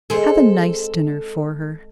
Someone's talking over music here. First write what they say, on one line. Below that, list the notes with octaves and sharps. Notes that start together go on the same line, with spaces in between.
Have a nice dinner for her.
G#3 C4 G#4 A4